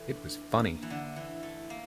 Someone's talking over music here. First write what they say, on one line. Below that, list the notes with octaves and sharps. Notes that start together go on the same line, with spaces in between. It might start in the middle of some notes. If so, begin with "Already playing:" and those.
It was funny.
Already playing: E3 A4
D4
D4
A#3
E3
D3 E5
E3 E4
A3 E4
A#3 E4